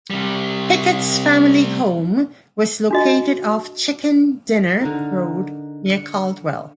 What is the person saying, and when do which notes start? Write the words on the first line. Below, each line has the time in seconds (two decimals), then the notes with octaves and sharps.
Pickett's family home was located off Chicken Dinner Road, near Caldwell.
0.10 C3 G3
2.91 D4 F#4 D#5
4.81 D3 D#4 A#4
5.86 F#5